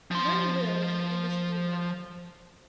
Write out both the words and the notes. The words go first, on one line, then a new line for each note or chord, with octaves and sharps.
When will the industry learn?
F3 C6